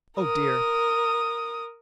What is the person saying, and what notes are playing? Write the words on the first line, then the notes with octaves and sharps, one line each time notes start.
Oh! dear.
A#4 D#6